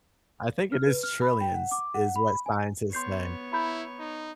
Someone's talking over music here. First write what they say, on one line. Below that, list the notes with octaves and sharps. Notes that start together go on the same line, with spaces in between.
I think it is trillions, is what scientists say.
F6
B4
F6
B5
G5
F#5
D6
F#5
B5
G#5
B3 C#5 C6 G6 C7
E4 A#5 B5 G6
D#4